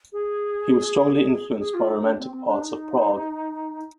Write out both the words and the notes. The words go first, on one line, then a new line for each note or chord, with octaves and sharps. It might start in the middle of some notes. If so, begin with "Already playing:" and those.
He was strongly influenced by romantic parts of Prague.
G#4
G#4
F4
D#4
D4
C4
C4
D4
D#4